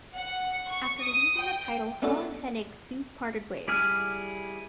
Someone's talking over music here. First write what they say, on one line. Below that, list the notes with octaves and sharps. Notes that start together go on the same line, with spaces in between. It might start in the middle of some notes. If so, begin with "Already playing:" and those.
After losing the title, Hall and Hennig soon parted ways.
F#5
C#6
D#6
G5
A3 B3 C#4 D4 F#4 A4
G3 E4 G#4 F6